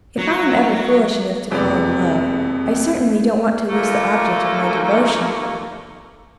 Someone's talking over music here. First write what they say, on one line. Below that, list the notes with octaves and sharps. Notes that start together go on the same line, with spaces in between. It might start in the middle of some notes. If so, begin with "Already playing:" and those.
"If I am ever foolish enough to fall in love, I certainly don't want to lose the object of my devotion."
F#3
F#1 F2 C3 G#3 B3 D5
D#2 A#2 A3 A#3